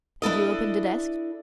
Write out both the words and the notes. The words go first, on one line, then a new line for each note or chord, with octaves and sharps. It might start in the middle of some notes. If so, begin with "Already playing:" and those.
"And you opened the desk?"
D4 E4 A4 D#5